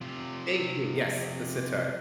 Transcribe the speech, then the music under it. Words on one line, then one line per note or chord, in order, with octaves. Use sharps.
Thank you Yes, the sitar.
C3 F4